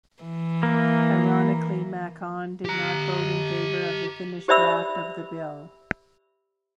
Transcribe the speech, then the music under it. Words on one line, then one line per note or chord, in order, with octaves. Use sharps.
Ironically, Macon did not vote in favor of the finished draft of the bill.
E3
A#3
G4 A#5
G4 C5 D5 E5 B5 E6